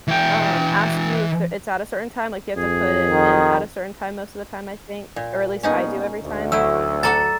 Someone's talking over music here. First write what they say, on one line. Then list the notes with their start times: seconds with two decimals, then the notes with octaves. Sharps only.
um, ask you if there it's at a certain time, like, you have to put it in at a certain time most of the time, I think, or at least I do every time.
0.08 E3 G5
2.57 F2 G#4
3.11 D#3
5.16 A#2
5.63 G3 A#3 B3 C#4 D#4 G#4
6.23 D2
6.52 F#3 A3 E4 E6
7.03 A4 D5 F#5 A#5 A6